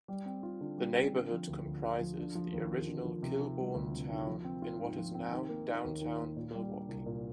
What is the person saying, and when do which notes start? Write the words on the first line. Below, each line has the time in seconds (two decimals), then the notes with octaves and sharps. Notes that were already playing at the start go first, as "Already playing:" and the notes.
The neighborhood comprises the original Kilbourn Town in what is now downtown Milwaukee.
0.08 G3
0.25 C4
0.43 F4
0.61 D3
0.78 G3
0.96 C4
1.13 D3
1.31 F3
1.48 D2
1.66 D2
1.83 D3
2.01 F3
2.18 D3
2.35 F3
2.53 D#2
2.70 D#2
2.87 D3
3.05 F3
3.22 C3
3.40 D#3
3.58 G3
3.74 D2
3.92 C3
4.10 D#3
4.27 F3
4.45 C4
4.62 F4
4.79 G#2
4.97 F3
5.15 C4
5.31 D#3
5.49 A#3
5.67 D#4
5.84 D#2
6.01 D#3
6.19 A#3
6.37 A#2
6.54 G3
6.71 D4
6.89 C2
7.06 A#2